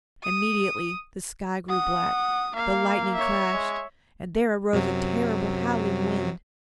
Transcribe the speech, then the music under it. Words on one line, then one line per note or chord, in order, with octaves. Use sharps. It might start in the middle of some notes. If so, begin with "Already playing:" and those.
Immediately the sky grew black, the lightning crashed, and there arose a terrible, howling wind.
D#6
F#5 D#6
A#3 F5
C#5 E5
G#3
F#2 C3 F#3